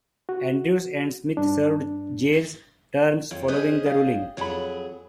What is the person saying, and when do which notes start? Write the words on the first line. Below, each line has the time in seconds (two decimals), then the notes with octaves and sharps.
Andrews and Smith served jail terms following the ruling.
0.29 F#4
1.37 G2 D4
3.31 F2 C#5 G5
3.48 C#4 G#4 B4 C5 D#5
3.86 G4 D5 F5
4.37 F2 F#3 G#4 C#5 B5